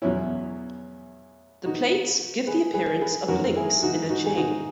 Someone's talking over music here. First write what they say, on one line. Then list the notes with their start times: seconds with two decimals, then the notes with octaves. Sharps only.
The plates give the appearance of links in a chain.
0.02 E2 B2 F#3 C#4 E4
1.65 D#4 F#4
2.47 G#4 B4
2.73 G#4 B4
3.01 G#4 B4
3.28 F#2 D#3 F#3 F#4 A#4
3.56 E4 G#4
3.83 D#4 F#4
4.09 D#4 F#4
4.26 G#4
4.37 D#4 F#4